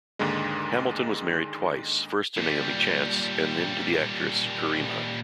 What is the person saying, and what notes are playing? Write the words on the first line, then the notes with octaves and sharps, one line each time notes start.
Hamilton was married twice, first to Naomi Chance, and then to the actress Kerima.
D#2 G#2 D3 G#3
A#2 G3